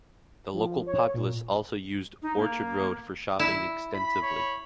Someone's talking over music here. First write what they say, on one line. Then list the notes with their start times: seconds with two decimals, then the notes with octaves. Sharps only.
The local populace also use Orchard Road for shopping extensively.
0.53 F3
0.86 C#5
1.14 A#2
2.22 D#4
2.37 A#3
3.39 E4
3.91 B5
4.20 C#5 B5